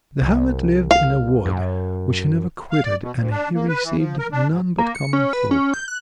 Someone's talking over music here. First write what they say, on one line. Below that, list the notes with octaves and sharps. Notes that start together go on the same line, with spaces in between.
The hermit lived in a wood which he never quitted, and he received none but common folk.
C2
F5
F#2
F5
D5
B2
D2
D4
A#3
B4
E3
F3
A#4
D4
G#2
A#3
C#7
C#4
B4
C#4
G6
F#6